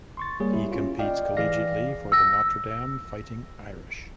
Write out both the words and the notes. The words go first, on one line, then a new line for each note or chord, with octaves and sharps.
He competes collegiately for the Notre Dame Fighting Irish.
C6 C#6 A6
G3 A#3 G#4 C#5
E4
C#4 F4
D5 D#5 F5 G5
E3 G#4 D5 F5 A#6
E6 A#6